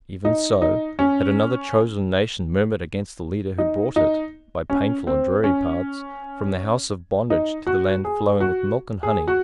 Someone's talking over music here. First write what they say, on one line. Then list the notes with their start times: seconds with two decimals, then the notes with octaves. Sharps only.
Even so had another chosen nation murmured against the leader who brought it, by painful and dreary paths, from the house of bondage to the land flowing with milk and honey.
0.25 D#4
0.62 D#4
0.99 C#4
3.58 D#4
3.96 D#4
4.70 C#4
5.07 C4
5.44 C#4
7.30 D#4
7.67 F#4
8.05 G#4
8.40 F#4
9.03 G#4
9.28 F#4